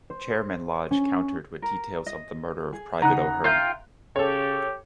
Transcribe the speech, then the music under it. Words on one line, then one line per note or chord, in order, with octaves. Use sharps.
Chairman Lodge countered with details of the murder of Private O'Herne.
C5
C#4
A#4
D#5
G#4
C#3 D#4 F#5 A#5 F#6
F4 E5 F5 G5
C#3 G4 A4 C#5